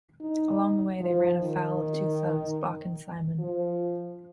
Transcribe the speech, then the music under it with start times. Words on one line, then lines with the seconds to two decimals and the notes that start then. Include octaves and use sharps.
Along the way, they run afoul of two thugs, Bock and Simon.
0.21 D#4
1.01 F3
1.40 D#3
3.39 F3